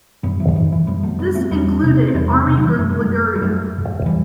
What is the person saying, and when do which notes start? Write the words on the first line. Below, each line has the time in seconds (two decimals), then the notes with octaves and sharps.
This included Army Group Liguria.
0.23 F#2 G3 B3
0.40 E3
0.56 D#3
0.72 E3
0.87 F#2 G3 B3
1.03 F#3 A3
1.19 G3 B3
1.35 A3 C4
1.51 E2 G3 B3
1.83 C3
2.08 C4
2.15 E2 G3 B3
2.30 A3 C4
2.46 C3
2.57 F#3
2.62 E3 G3
2.78 F#2 A3
2.90 G3
3.00 F#3 A3
3.36 G3
3.42 F#2 F#3 A3
4.06 E3 G3